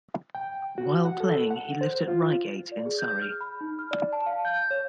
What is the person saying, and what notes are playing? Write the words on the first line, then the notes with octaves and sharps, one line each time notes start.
While playing he lived at Reigate in Surrey.
G5
F#4
F#5
A4
F#5
C5
F4
D5
G#4
G6
F6
B5
D#4
F6
D5
A5
F5
G6
C#5